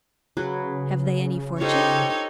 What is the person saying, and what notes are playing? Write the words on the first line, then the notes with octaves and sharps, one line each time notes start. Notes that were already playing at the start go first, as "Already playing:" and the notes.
"Have they any fortune?"
C#3 F#3 G#4 B4
D#4 F4 G4 A4 C5 C#5